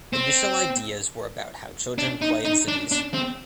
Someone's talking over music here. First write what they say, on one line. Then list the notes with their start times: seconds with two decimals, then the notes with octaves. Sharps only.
Initial ideas were about how children play in cities.
0.13 C4
1.98 D4
2.21 D#4
2.45 D#4
2.68 D4
2.92 D4
3.14 C4